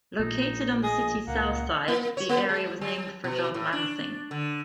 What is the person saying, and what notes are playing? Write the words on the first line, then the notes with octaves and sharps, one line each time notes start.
Located on the city's south side, the area was named for John Lansing.
A#1 A#2 D#4
G#4 D#5
C#2 A#3 F#5
A#3
C#5
A#3
G#3
G3
B2
A2
D4
D3